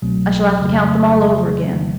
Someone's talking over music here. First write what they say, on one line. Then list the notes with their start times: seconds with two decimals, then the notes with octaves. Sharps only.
I shall have to count them all over again.
0.02 C2 B2 F#3 A3 C4
0.59 F2 C#3 F#3 A3